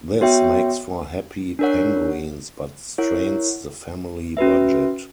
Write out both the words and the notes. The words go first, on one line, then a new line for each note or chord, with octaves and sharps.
This makes for happy penguins, but strains the family budget.
B3 F#4 C#5 E5 G5
D4 A#4 C#5 F#5
E4 A#4 C#5 F#5
C#4 F#4 B4 E5